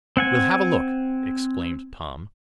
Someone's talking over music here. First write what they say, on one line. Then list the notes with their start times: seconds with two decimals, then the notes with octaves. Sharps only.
"We'll have a look!" exclaimed Tom.
0.17 C4 F#5 G#5